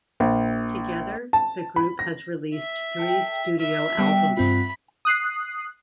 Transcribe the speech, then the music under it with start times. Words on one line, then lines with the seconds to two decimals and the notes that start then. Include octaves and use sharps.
Together the group has released three studio albums.
0.20 A#1
1.33 A5
1.76 B5
1.99 A#6
2.54 E5
2.98 A4 A#4 G5
3.59 E3 A#4 E5
3.98 G3 B3 A#4 D#5 G5
4.37 G2 C4 F4 F#5 B5
5.05 D#6 F#6 C7